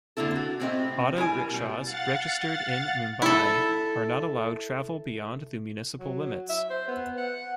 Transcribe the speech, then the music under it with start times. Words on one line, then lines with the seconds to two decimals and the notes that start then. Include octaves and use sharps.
Auto rickshaws registered in Mumbai are not allowed travel beyond the municipal limits.
0.17 D3 A#3 C4 E4 A4
0.36 F#4
0.60 A2 C3 C4 E4 D#5
1.17 G3 E4 A#4 G#5
1.49 B2 G3
1.83 F5 F#5 A6
3.22 E4 A4
6.00 F#3
6.49 E5
6.70 C5
6.88 B3
7.18 F#5